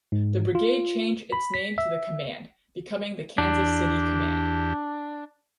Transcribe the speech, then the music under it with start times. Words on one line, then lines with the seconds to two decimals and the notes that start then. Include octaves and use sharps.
The Brigade changed its name to the Command, becoming the Kansas City Command.
0.12 G#2
0.55 F4
1.32 B5
1.54 B6
1.78 E5
3.38 E2 D4 G4